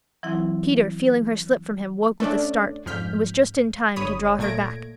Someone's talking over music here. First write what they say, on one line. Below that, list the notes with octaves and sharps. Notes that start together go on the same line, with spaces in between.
Peter, feeling her slip from him, woke with a start, and was just in time to draw her back.
E3 F#3 C4 E4 F#5 E6
A3 C#4 D4 D5
F2 G#2 F6 G6 B6
G1 C#5 B5 D#6
A#2 A3 G#6 A#6 D7